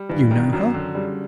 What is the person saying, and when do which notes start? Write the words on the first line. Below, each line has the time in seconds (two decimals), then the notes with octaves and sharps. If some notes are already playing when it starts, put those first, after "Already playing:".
"You know her?"
Already playing: G3
0.09 G2 E3
0.31 D#3
0.53 F#2 F#3
0.74 D3
0.95 C#3 G3